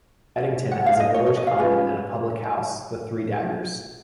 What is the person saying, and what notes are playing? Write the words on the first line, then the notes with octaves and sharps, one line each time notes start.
Edington has a village common and a public house, the "Three Daggers".
D#4 A#4 F#5
F5
D#5
C#5
C#5
D#5
F5
C#4 F4 G#4 B4